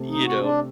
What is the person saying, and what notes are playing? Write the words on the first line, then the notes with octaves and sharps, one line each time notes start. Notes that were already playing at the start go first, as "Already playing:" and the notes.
you know
Already playing: C3 A3
D#4
F#4
D4